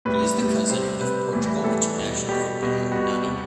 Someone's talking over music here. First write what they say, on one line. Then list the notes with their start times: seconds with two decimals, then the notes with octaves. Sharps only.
He is the cousin of the Portugal international footballer Nani.
0.05 A2 G3 B4
0.38 A2 G3
0.69 C3 G3 C5
1.01 C3 G3 B4
1.33 A2 E3 G3
1.64 A2 E3 G3 A4
1.97 B2 G3
2.29 B2 G3 G4
2.59 B2 G3
2.92 B2 G3 F#4
3.23 C3 G3